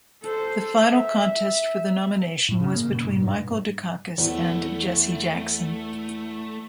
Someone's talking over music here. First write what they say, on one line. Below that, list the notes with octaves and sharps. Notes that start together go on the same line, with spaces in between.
The final contest for the nomination was between Michael Dukakis and Jesse Jackson.
A4 C5
E5
A2
C#3
A#3
B2
G#2
G2
E2 A3